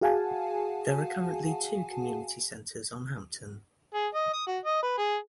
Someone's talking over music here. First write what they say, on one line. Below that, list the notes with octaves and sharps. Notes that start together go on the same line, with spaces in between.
There are currently two community centres on Hampton.
F#4 G#4 F5 F#5 G#5 A5
G#4
D#5
D#6
F#4
D#5
B4
G#4